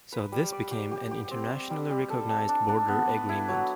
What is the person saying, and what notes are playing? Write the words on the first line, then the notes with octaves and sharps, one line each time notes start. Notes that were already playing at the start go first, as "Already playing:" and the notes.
So this became an internationally recognised border agreement.
B4
G3
D5
G4
G4
G4
C4
G3
G3
G3
A4
A4
D4
D4
B3
B4
E4
F#3